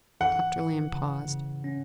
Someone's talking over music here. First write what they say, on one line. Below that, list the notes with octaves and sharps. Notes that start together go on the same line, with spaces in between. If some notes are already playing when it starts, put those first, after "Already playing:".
Dr. Lamb paused.
E3 F#5
E3
C#3
C#3
C#4